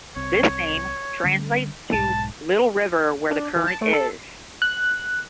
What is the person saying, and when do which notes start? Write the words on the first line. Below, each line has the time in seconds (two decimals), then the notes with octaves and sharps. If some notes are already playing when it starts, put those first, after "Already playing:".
This name translates to the little "river where the current is".
0.16 C2 C4 C#5
1.23 D3 G3 C#4
1.93 B1 G#2 A5
3.30 D4
3.56 E3
3.67 A5
3.81 A3
3.93 A4
4.62 F#6